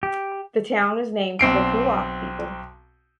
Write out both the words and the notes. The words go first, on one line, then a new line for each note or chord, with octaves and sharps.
The town was named for the Kiowa people.
G4
B1 C4 C7 D7